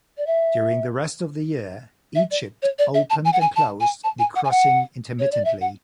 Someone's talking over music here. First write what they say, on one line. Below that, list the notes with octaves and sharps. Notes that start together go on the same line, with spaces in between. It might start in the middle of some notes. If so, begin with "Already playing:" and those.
During the rest of the year Egypt opened and closed the crossing intermittently.
D5
E5
E5
D5
C#5
D5
E5
A5
G#5
F#5
G#5
A5
G#5
A5
G#5
F#5
G#5
F#5
C#5
D5
E5
F#5